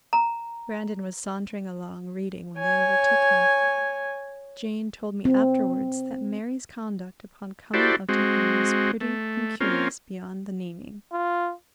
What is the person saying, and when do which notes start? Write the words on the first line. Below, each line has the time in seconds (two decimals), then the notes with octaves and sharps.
Brandon was sauntering along reading when they overtook him. Jane told me afterwards that Mary's conduct upon coming up to him was pretty and curious beyond the naming.
0.13 A#5
2.58 C#5 G#5
5.25 C4
7.74 E4 F#4 G4 A4 C5 D5
8.09 G#3 C4 F#4
9.01 A3
9.61 A#3 C4 C#4 F4
11.12 F4